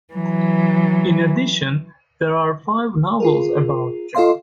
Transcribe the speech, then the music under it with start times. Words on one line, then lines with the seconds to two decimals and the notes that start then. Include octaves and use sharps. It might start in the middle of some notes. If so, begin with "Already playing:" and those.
In addition, there are five novels about John.
0.14 E3 F#3
3.20 F4 G#4 A#4
4.15 F4 A4 D#5 F5 C6